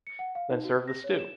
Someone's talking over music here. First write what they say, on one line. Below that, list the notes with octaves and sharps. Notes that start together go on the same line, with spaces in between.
Then serve the stew.
C#7
F#5
F5
D#4
F#4
A#6
C#5
E7